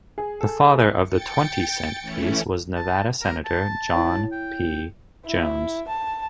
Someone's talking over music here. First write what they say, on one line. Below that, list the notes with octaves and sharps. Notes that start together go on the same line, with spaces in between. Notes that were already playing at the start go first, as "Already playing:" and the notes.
The father of the twenty-cent piece was Nevada Senator John P. Jones.
G#4
A4
G5 A6 C#7
E3 A3 C#4 E4
A5
A#4
A5
E4 C#5
G5
E4
A5